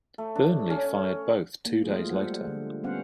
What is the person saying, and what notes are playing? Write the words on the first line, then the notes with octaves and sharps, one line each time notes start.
Burnley fired both two days later.
A3
D4
C#4
A#3
F3 G#3 A3 F4 G#4
G3 A4 C5 F#5
D3 A3
G3 B3 C#4 C5 F5 F#5